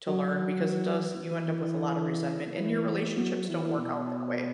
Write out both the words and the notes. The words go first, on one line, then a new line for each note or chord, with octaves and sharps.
to learn because it does you end up with a lotta resentment, and your relationships don't work out that way.
F#3
E3
E3
F#3
F#3
E3
E3
B2